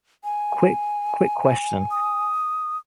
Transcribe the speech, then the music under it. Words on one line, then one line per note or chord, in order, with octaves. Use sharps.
quick quick question.
G#5
D#6